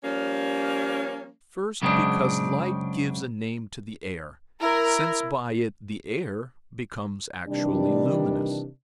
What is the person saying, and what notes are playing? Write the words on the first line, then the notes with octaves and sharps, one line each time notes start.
First, because light gives a name to the air, since by it the air becomes actually luminous.
F3 G3 A#3 C#4
F#2 C#3 G#3 B3 C4 D4
E4 A#4
C3 D#3 E3 G3 D4